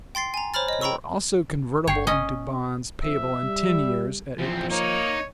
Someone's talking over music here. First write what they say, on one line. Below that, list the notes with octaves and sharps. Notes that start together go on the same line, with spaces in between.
They were also convertible into bonds payable in ten years at eight per cent. interest.
G5 C6 A6 C7
G#5 A#5
C5 C#5 A#5 B5 F6 A6
C#5 D#5
G5 A#5 B5 C#6 E6
G1 C#5 G5 C7
C#4 D#5
F2 E5
G3
E2 F3 C4
A#3 D#4 C#5